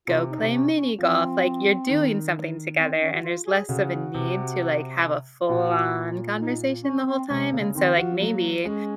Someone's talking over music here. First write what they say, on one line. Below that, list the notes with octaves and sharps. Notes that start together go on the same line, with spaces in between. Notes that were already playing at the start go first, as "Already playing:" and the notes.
go play mini golf, like you're doing something together and there's less of a need to, like, have a full-on conversation the whole time, and so, like, maybe,
C3 F4
D#4
C3
C#4
C#4
F3 C4
D#3
C4
D#4
C#4
F#4
F4
G#4
C#3 F#4
C3
A#2 F#4
D#4
C#4
C4
C3 G#3
C#3 A#3
D#3 C4
F3 F#4
F#3 A#3
G#3 C#4